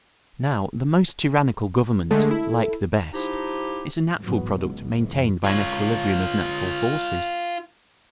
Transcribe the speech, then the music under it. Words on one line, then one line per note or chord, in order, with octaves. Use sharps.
Now the most tyrannical government, like the best, is a natural product maintained by an equilibrium of natural forces.
D3 G#3 A3 A4
E4
F3 D#4 E4 G4
A1 E2 G#2 F#3 B3
C#2 B2
F#1 F2 E3
F4 C#5